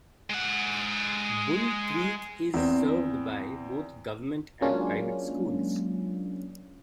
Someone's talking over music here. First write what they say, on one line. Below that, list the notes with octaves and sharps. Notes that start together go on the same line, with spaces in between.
Bull Creek is served by both government and private schools.
G#3 F#5
E2 C4
F#3 G#3 A#3 C#4 D4 F4